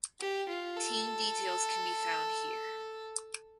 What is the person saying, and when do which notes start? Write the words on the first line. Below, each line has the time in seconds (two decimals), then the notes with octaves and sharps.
Team details can be found here.
0.20 G4
0.48 F4
0.76 A4